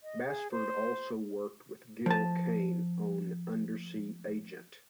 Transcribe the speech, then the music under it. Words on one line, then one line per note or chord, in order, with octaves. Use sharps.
Bassford also worked with Gil Kane on "Undersea Agent".
D#5
G#4
C5
F3 A5